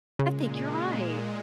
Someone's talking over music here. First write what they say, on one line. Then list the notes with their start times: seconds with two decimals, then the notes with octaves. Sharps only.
I think you're right.
0.19 A#2 C#3 G#3